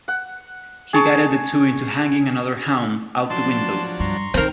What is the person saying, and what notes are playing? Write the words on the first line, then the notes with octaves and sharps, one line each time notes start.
He guided the two into hanging another hound out the window.
F#5
G#4 A5 C#6
F3 F#3 D4 A5 C6
G2 A#5 C6 C#6
D3 D#3 C4 A4 A#4